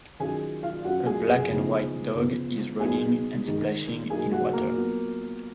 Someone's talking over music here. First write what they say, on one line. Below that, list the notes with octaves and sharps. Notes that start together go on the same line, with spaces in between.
A black and white dog is running and splashing in water.
D#3 F#3 C#4 F4 G#4 G#5
F4 F5
F#3 C#4 F4 F#4 F#5
G#4 G#5
G#4 G#5
C#3 F3 B3 D#4
C#3 F3 B3
B2 F#3 B3 D#4 G#4 G#5
D#3 G#3 D#4
F#3 A#3 D#4 G#4 G#5
F#4 F#5
A#3 A#4
F#3 B3 F4